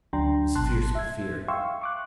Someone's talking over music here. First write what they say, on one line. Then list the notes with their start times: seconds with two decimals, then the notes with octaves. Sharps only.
I was fierce with fear.
0.13 D2 F#3 D4 G5 A#5 C6
0.55 G#1 B2 A5 C6 F#6
0.95 E5 G#6
1.48 E5 F5 G5 C6 C#6 E6
1.81 C#6 D6 F#6